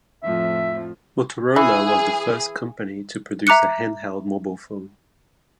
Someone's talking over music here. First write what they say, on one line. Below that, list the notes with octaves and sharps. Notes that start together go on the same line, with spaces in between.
Motorola was the first company to produce a handheld mobile phone.
F2 A2 F3 E5
E3 G#4
E5 A#5 D6 F#6 C#7